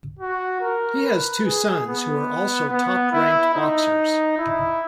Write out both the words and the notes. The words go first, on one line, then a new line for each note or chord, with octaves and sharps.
He has two sons who are also top-ranked boxers.
F#4
A#4
B4
G#4
B3
B3
E4
D#4
E4